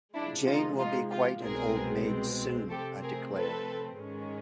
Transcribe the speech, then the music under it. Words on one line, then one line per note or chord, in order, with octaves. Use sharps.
Jane will be quite an old maid soon, I declare.
C3 F3 G#3 D4 E4
D#4 F4
D#4 F4
F4 G4
C2 B2 G#3 C4 G#4 A#4
C3 F3 A3 C4 G4 A4
G#4 A#4
A4 B4
G#2 D#3 G#3 C#4